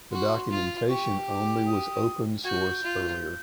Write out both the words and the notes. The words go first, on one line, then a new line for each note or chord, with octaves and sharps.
The documentation only was open source earlier.
F#4 C6
F4
G4 C#6
D6
D#6
F#4 G#6
G6
F4